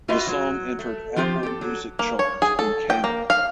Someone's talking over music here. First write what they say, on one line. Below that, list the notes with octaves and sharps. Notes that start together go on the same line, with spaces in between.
The song entered Apple Music chart in Canada.
A3 F4 F#4 B4 D#5 E5
F#3
A3
F3 C4 F4 G4 A4 C5
G4 A4
F#3
A#3
C#5
G#4
A4
G5
A#3
F5